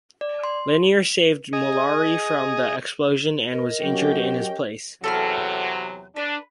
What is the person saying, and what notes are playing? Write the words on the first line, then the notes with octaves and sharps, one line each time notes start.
Lennier saved Mollari from the explosion and was injured in his place.
D5
C6
G#4 D#5
A#4 D#5
F#3 C#4 G4 G5
E2 C3 F#3 A4 B5 F6
D4 B4